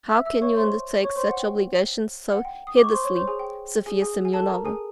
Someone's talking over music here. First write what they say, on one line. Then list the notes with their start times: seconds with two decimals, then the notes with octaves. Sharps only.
How can you undertake such obligations so heedlessly, Sofya Semyonovna?
0.09 E5 E6
0.25 E5 E6
0.42 C#5 C#6
0.57 C5 C6
1.04 C#5 C#6
1.16 C5 C6
1.28 F#5
1.39 G5
2.32 F#5
2.45 G5
2.67 D#6
2.76 D6
2.84 C#6
2.92 C5 C6
3.04 C#5 C#6
3.16 C5 C6
3.27 G#4 G#5
3.39 G5
3.86 G#4 G#5
4.02 G#4 G#5
4.25 G#5
4.33 A4 A5
4.49 A#4 A#5
4.65 G#4 G#5